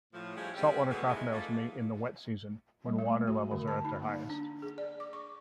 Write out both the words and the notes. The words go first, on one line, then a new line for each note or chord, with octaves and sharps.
Saltwater crocodiles mate in the wet season, when water levels are at their highest.
A2 F3
F3 G3 G#3 C#4 E4 G4
G3 G#3 C4
G#2 B2 E3 F#3 G#3 A3
C3 E3 G#3 A3 D#4 E4
G#2 A3 A#3 D#4 F4
G3
A3
F#4
D3
A5
D#4
A#3
D4
G#4
D5
D6
C#6